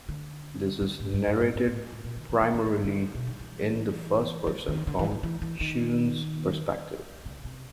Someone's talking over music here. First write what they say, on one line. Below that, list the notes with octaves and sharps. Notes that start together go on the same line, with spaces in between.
This is narrated primarily in the first person, from Chiun's perspective.
D3
D3
A2
G#2
G2
G#2
G#2
A2
A2
A#2
D#3
E3
E3
D#3
D#3
D3
B2
D#3
E3
F3
E3
D#3
D3
E3
F3
E3
E3
D#3
C#3
C3